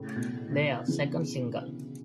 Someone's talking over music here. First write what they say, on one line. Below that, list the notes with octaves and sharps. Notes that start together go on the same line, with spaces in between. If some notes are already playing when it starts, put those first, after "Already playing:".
Their second single.
Already playing: A2 C#3
B2
B2 D3
C#3 E3